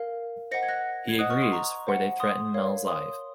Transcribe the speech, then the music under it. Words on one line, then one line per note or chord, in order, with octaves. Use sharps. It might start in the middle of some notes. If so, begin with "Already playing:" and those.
He agrees; for they threaten Mel's life.
Already playing: A#4 F5
C5 D#5 F#5 A#6 C#7
G#6
F#6 A#6
G#6
C5 D#5 F#5 D#6 F#6
C#6 F6
C6 D#6
A#5 C#6
C5 F#5
C6 D#6
A#4 C#5 F5
C6 D#6